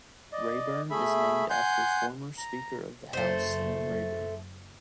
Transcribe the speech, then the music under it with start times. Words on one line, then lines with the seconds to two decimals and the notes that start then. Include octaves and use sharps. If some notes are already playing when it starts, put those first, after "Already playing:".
Rayburn is named after former Speaker of the House Sam Rayburn.
0.32 D5 D#5
0.90 A3 G#4 E5 B5
1.50 F#5 G#5 C6 G6
2.38 A#5
3.13 F#1 A3 C5